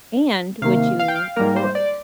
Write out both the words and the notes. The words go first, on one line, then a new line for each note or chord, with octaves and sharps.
And would you avoid?
C3 D#3 A#3 F5
F5
G5
F5
G#2 G3 A#3 A#4
C5
D5